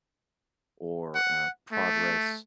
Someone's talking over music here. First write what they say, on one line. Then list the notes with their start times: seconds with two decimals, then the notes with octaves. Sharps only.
or, uh, progress,
1.15 F#5
1.72 A3